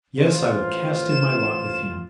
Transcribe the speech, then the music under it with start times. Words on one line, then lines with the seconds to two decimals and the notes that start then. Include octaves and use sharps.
Yes, I will cast in my lot with him.
0.16 A1 F4 C5
1.09 E7